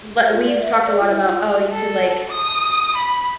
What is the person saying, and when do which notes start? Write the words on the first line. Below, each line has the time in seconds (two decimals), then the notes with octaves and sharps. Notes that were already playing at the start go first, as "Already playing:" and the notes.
w we've talked a lot about, "Oh, you could, like,
0.18 E5
0.33 F4
0.46 D5
0.60 E5
0.73 F5
0.85 D5
1.00 F4
1.12 E4
1.25 F4
1.72 A4
2.30 D#6
2.96 B5